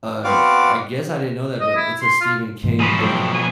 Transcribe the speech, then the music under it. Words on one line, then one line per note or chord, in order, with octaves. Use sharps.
Uh, I guess I didn't know that, but it's a Stephen King book,
B3 C4 F#4 D5 F5 D6
D#5
E4
C6
F4
G#2 E3
B2 F3 G#4 B4 C5
F#3 A4 G5
G#5